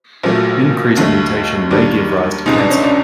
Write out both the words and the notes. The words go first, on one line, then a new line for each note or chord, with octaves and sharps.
Increased mutation may give rise to cancer.
A#1 A#2 F#3 A3
D#2 D3 F#3 A3
D#2 D#3 G3 D4
C#2 B2 G#3 D#4
D4
C#4
D4